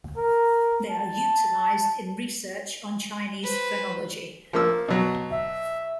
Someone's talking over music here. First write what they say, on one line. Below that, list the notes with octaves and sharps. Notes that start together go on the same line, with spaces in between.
They are utilized in research on Chinese phonology.
A#4
A5
B4 C5
F3 A#3 E6
B2 F#3
E5